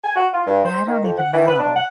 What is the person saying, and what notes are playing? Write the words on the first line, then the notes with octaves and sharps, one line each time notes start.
Yeah, I don't even know.
G#5
F#4
F4
G2
C5
D#3
F2
F#5
E3
B4
D4
F#5